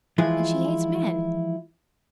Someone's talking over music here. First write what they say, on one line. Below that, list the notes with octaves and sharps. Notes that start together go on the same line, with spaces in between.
And she hates men!
E3 F3 G#3 E4 F4